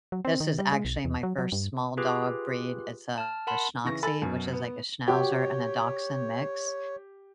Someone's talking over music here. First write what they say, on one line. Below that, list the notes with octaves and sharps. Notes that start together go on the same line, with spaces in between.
this is actually my first small dog breed. It's a Schnoxie, which is like a Schnauzer and a Dachshund mix.
F#3
C4
D#3
G3
G#3
B1
E2
F#3
F#3
G2
F4 G4 G#4 B4
A5 F6
A#4 F#5 A5 B5 C6
C#3 E3 C#6 A#6
A4 G#5 B5 A6
F#2 B2
B3
F#4 G4 C#5 G5